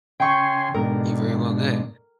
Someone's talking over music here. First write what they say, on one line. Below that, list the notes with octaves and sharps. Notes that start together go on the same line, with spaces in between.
You very well could.
C#3 G5 G#5 C6 C#6
G#2 B2 D4 A#4